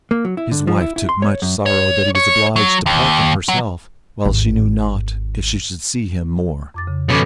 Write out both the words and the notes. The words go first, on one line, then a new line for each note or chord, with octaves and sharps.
His wife took much sorrow that he was obliged to part from herself, while she knew not if she should see him more.
A#3
F#3
E4
D3
F3
E4
E4
C6
C#5
F#2
C#5
C#5
F#3
D#2
F#3
G#1 D#2
F2 D6 A6
C#3
B2 F3 C#4 A4 D6